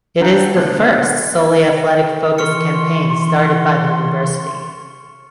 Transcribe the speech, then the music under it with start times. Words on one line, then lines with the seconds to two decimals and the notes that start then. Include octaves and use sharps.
It is the first solely athletic focused campaign started by the university.
0.20 D4 F4 G4 A4 F#5 A#5
0.56 D2 B2 B3 D4
2.38 E3 C6 C#6 F6 C#7